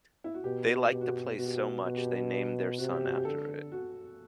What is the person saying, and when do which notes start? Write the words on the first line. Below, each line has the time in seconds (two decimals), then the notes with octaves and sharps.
They liked the place so much they named their son after it.
0.24 E4
0.34 F#4
0.44 B2 G4
0.91 B2 G4
1.01 F#4
1.11 G4
1.38 B2 F#4
1.46 G4
1.54 F#4
1.85 B2 F#4
1.96 G4
2.08 F#4
2.78 C3 F#4
2.92 G4
3.05 F#4
3.16 G4
3.25 D3 A4
3.72 F#4